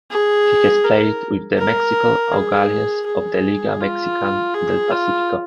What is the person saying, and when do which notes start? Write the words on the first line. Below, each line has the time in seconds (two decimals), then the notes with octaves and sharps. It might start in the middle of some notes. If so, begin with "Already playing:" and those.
He has played with the Mexicali Aguilas of the Liga Mexicana Del Pacifico.
0.11 G#4
0.84 A#4
1.58 A#4
2.32 G#4
3.06 G#4
3.81 F4
4.54 G#4
4.91 F4